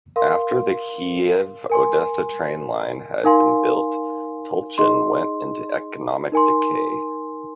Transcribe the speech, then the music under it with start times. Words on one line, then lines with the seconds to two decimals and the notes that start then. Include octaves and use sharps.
After the Kiev-Odessa train line had been built Tulchin went into economic decay.
0.16 A#4 F5 C6
1.70 A#4 G#5 C6
3.24 D#4 A#4 F5 G#5 C6
4.78 D#4 G#4 D#5 C6
6.32 D#4 A#4 G#5 C6